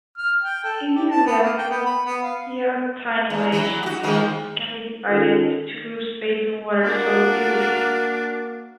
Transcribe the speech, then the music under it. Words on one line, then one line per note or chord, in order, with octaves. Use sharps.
Amine-reactive biotinylation reagents can be divided into two groups based on water solubility.
F6
G5
A4
G4
A5
B3
A#3
G5
B3
B5
B3
F5
E2
E3 F#3
F#4 G4
D#3 F3 G#3
D#3 C#4 D#4 F4 A4
A#3 D4 F#4 A#4